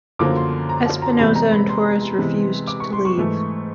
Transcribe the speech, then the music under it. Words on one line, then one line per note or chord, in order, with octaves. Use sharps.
Espinoza and Torres refused to leave.
F#2 D3 F3 A#3 D6
C6
A#5
A5
A#5
E2 C3 E3 G#3 B3 B5
A#5
B5
C6
C3 E3 G#3 B3
D6
C#6
C6
C#6
G#2 E3 A3